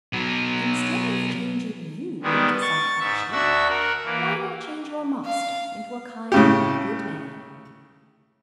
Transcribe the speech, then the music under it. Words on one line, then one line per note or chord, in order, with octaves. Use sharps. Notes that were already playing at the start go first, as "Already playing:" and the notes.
"Instead of changing you into some other shape, why not change your master into a kind and good man?"
B2 F#3
D#3 G3 G#3 B3
C#6 A6
G#2 E5
D2 D4 F#4 E5 E6
A#4 F#5
E3 A#3
F5
A2 C#3 G4